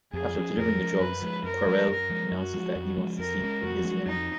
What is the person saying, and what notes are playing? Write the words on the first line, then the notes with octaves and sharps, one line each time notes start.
After delivering the drugs, Querelle announces that he wants to sleep with Lysiane.
F2 G#4
F3 G#3 C#4
F2 A#4
F3 G#3 C#4
F#2 B4
F3 G#3
F#2 A#4
F3 G#3
F#2 A#4
F3 G#3
F#2 F#4
F3 G#3
F2
F3 G#3 C#4
F2 A#4
F3
G#3 C#4
F2 F#4
F3 G#3 C#4
F2 D#4